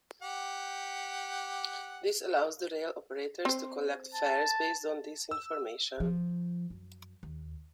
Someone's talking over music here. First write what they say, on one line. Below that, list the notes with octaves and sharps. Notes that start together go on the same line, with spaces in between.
This allows the rail operators to collect fares based on this information.
G4 F#5
C4 C5
A5
E6
F3
F#2
D#2